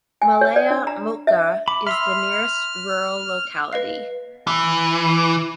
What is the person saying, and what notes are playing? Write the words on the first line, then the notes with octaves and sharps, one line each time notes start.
Malaya Mochga is the nearest rural locality.
G#5
C#5
D5
D4
A#5
E5
B5 D6
E5 B5 C6 E6 F6
B4 D#5 F5
E3